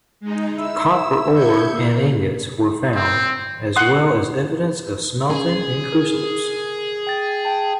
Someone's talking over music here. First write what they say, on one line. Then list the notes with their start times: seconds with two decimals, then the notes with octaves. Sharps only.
Copper ore and ingots were found as well as evidence of smelting in crucibles.
0.20 G#3 D#4
0.58 E4 E6
1.33 G6 G#6 C#7
1.71 A#3
2.95 C4
3.76 F#5 C6 D#6
5.30 C#4 G#4
5.92 A#4
7.07 G5 A6
7.45 G5 A5